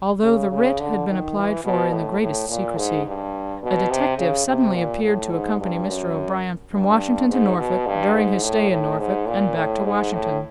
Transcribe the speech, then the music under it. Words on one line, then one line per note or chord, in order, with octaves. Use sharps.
Although the writ had been applied for in the greatest secrecy, a detective suddenly appeared to accompany Mr. O'Brien from Washington to Norfolk, during his stay in Norfolk, and back to Washington.
C#3
C#3
D3
D#3
E3
B2
A2
A2
A#2
G#2
G2
B2
C3
C#3
C3
A#2
A2
G#2
G2
F#2
G2
G#2
B2
G2
G#2
A2
A2
G#2
A#2
A2
G#2
A2